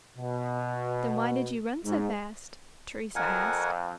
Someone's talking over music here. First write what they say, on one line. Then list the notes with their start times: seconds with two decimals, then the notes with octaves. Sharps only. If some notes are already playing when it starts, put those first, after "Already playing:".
"Then why did you run so fast?" Teresa asked.
0.17 B2
1.85 G#2
3.16 F2 A#4 F#5 G#5